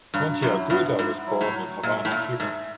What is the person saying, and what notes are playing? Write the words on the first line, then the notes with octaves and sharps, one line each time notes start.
Monteagudo was born in Havana, Cuba.
G2 F#3
F#2 E4
G2 B3
G#2 E4
F#3
A2
F#3
A#2 E5
A2
A#2 E5
G#2 E5